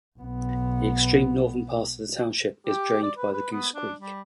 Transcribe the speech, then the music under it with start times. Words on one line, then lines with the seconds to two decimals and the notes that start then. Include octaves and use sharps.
The extreme northern part of the township is drained by Goose Creek.
0.18 B1 B3
2.67 G4
3.03 D5
3.17 B4
3.33 B4
3.52 B3
3.75 D4
4.00 G3